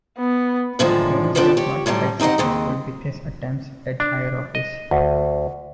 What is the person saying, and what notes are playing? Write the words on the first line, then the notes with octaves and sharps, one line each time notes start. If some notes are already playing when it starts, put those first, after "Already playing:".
Ames was not as successful with his attempts at higher office.
B3
F#2 A2 D3 D#3 F3 G#3
C#3 F3 B3 C4 D4 A4
G4 C#5
A2 D3 F#3 G3
C4 D#4 G4 D#5 F#5
D#2 C4 G#4
D4
D#5
D2